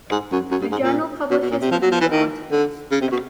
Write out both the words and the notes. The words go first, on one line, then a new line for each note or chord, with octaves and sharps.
The journal publishes review articles.
G#2
F#2
F#2
G2
G#2
A#2
B2
B2
A#2
C3
F3
F#3
F3
E3
D#3
D3
C#3
C3
B2